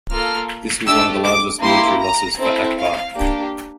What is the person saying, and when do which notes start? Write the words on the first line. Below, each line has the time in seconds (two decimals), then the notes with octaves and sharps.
This was one of the largest military losses for Akbar.
0.10 A#3 F4 A4 F6
0.86 A3 D4 G4 E6
1.24 D6
1.62 A#3 E4 G4 C6
2.01 A#5
2.39 C4 E4 A4
2.77 F5
3.14 A#3 D4 G4